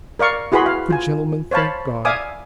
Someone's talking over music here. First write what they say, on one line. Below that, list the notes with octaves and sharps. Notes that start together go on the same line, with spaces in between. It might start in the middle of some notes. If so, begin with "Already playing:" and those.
Good gentlemen, thank God!
A#4 D5 F5 C#6
E4 F#4 G#4 B4 B5 C6
F5
F4 G#5
C5 C#5 F5 A5 B5
D5 E5 F5 G#5 D6 D#6